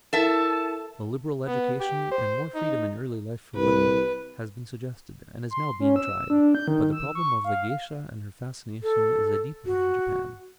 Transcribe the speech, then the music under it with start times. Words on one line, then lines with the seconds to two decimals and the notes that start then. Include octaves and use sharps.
A liberal education, and more freedom in early life for women, has been suggested, and is now being tried, but the problem of the geisha and her fascination is a deep one in Japan.
0.13 E4 A4 A#4 E5 A5 E7
1.47 B3
1.80 G4
2.12 C5
2.55 D#4
3.56 C2 B4
5.50 C6
5.80 C#4
5.96 E6
6.30 D4
6.55 G6
6.68 D#3
6.92 E6
7.15 C#6
7.45 F5
8.82 A4
9.66 F#4